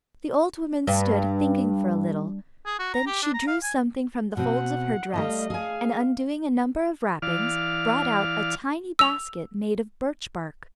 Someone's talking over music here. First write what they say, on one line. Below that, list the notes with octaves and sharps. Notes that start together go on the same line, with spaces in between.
The old woman stood thinking for a little: then she drew something from the folds of her dress, and, undoing a number of wrappings, brought out a tiny basket made of birch-bark.
G2
G#4
F#4
A#5
G4
D4
A#5
F5
G#5
B2 C4 F#5
G3 A3 D#5 F5 A5
G#4 F5 G#5
E3 D5 F5 F6
E6 F7